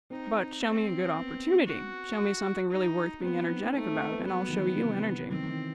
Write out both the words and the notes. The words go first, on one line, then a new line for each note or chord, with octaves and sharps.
But show me a good opportunity, show me something really worth being energetic about, and I'll show you energy.'
C4 D#4
C4
B3
F#4
D#4
B3 C4
C4
D#4
C4
A3 D#4
C4
B3
G3 B3
F#3
D#3
E3
D#3
C3
D#3 C4
D#3
E3